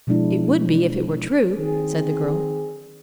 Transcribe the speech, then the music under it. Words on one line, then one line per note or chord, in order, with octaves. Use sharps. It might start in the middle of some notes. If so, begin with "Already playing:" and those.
"It would be, if it were true," said the girl.
B2 F3 G#3 D4 E4
D#3 C4 G#4